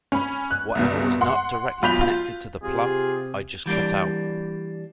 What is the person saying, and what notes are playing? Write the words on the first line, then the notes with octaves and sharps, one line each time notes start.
Whatever was not directly connected to the plot, I just cut out.
C#4 B5
F#6
C2 G2 B2
F#5 C6
B1 F4 B5 G6 B6 F7
F4
C3 F4 G4 G#4
E3 G3 A#3 D4